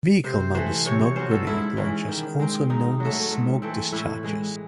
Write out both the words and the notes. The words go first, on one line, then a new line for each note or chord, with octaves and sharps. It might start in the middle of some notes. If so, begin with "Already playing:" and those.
Vehicle-mounted smoke grenade launchers are also known as "smoke dischargers".
C3 C5
C5
E3 A3 C5
C3 C#5
C#5
F#3 C#4 C5
A4
G#2 E4
E3 G#3 C#4
D#3
G#3 C4
G#2 D#4
F#3 A3
G#2
E3 A3 C4
A2 E4
E3 G#3